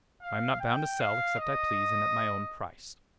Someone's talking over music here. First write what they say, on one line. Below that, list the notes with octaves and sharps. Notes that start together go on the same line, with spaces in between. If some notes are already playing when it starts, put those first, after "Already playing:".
"I am not bound to sell except I please, and at my own price."
F5
G5
F5
D#5